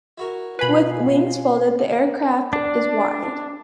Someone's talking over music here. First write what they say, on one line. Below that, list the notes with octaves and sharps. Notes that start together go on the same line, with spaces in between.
With wings folded the aircraft is wide.
E4 F#4 A#4
B2 F4 B4 G#5 B5 C7
D4